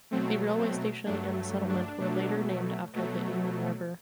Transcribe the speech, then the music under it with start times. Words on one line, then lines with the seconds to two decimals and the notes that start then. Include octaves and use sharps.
The railway station and settlement were later named after the Iman River.
0.11 B2 F#3 A3 C4
0.59 C4
1.06 G2 F#3 A3 D4
1.69 D4
1.99 B2 F#3 A3
2.94 B2 F#3 A3